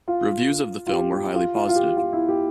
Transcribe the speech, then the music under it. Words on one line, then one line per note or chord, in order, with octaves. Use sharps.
Reviews of the film were highly positive.
F4
F4
G4
G4
F4
F4
F4
G4
F4
E4
G4